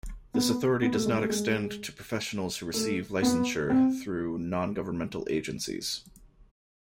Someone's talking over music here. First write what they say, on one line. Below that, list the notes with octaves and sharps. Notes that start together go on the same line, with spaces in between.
This authority does not extend to professionals who receive licensure through non-governmental agencies.
B3
B3
A3
G#3
A3
G#3
A3
B3
C4